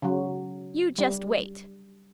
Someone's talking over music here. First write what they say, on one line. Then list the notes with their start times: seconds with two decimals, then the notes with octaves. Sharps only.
"You just wait!"
0.02 C#3 F#3
0.98 G3